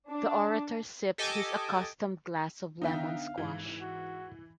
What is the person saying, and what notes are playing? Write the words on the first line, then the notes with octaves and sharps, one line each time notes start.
The orator sipped his accustomed glass of lemon-squash.
D4
G4 A4 D#5 G#5 D6
D3 B3 D#4 E5 F5 G5 F#6
G#2 E3
F#4